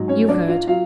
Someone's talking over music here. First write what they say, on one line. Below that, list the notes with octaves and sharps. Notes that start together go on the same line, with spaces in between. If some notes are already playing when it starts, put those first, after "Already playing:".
You heard.
Already playing: G#2 F#3
C#4 C#5
D4 D5
F4 F5
F#3 F4 F5